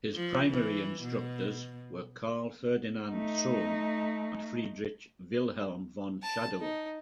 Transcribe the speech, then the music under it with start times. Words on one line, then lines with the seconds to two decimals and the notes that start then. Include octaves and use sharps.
His primary instructors were Karl Ferdinand Sohn and Friedrich Wilhelm von Schadow.
0.15 F3
0.50 E3
1.03 B2
3.09 A3 D#4
6.22 A5
6.61 D#4